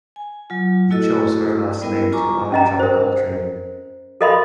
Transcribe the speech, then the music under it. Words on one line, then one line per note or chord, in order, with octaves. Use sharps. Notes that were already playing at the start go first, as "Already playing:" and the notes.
He chose her last name to honor John Coltrane.
G#5
F#3 F4
A3 E4 F#4 A4 D#5 E6
G3 B3 E4 A#4 D#5
F4 G#5 A#5 C#6 D6
C#4 D#5 A#5
A#4 C5
A4 A#4 D#5 F5 B5 C6